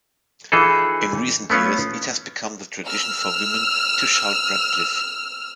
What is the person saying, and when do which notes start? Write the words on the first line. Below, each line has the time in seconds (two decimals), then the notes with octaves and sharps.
In recent years it has become the tradition for women to shout Radcliffe!
0.52 E3 D#4 F4 G#4 A4
1.50 A3 B3 C#4 F4
2.87 E6 F6